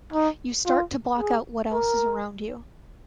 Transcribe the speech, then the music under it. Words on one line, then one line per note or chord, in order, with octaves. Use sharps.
You start to block out what else is around you.
D#4
F4
G#4
A#4